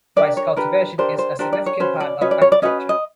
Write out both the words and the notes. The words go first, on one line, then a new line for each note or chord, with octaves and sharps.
Rice cultivation is a significant part of agriculture.
D4 G4 A#4 D5
C#5
D4 G4 A#4 B4
D4 G4 A#4 C5
C5
D4 G4 A#4 C5
D5
C#5
C#4 F#4 B4 C5
D5
C#4 F#4 B4 D#5
D5
C#5
D5
C#4 F#4 B4 D#5
D#5